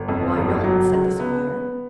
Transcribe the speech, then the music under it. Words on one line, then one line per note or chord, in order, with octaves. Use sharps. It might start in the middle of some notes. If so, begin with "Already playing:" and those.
"Why not?" said the squire.
Already playing: G1
F2
G1
F#3
C#2
B3
B3